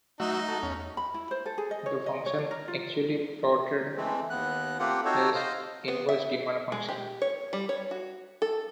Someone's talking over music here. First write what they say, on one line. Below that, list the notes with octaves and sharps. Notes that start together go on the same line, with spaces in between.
The function actually plotted is the inverse demand function.
F#3 A3 D#4 F#4 E5
F#4 A4
E2 C#4
B5
E4
C5
A4
G#4
D#5
C#5
D#5
C#5
D4
A#4
F4
E3 G#3 A3 C4
D#2 B3 F#6
A3 A#3 C4 F4 G4 F#5
C4 D#4 F#4 A4 C5 C#5
C5 D#5 F5
B3
E5
G#3
G4
C#5
G3
C#5
F#4
A4